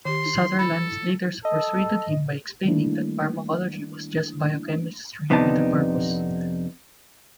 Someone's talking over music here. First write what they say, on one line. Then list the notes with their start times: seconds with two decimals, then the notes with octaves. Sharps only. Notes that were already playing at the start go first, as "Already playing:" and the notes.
Sutherland later persuaded him by explaining that pharmacology was just biochemistry with a purpose.
0.05 D#3 G4 C6
0.59 A4 B5
1.45 A4 D#5
2.65 D#3 G3 A3 A#3 D4 E4
5.30 F2 C3 B3 D4 D#4 A5